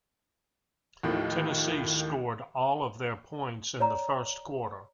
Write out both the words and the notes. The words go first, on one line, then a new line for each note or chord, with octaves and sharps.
Tennessee scored all of their points in the first quarter.
D#2 A2 D#3 F3
C#5 D5 A#5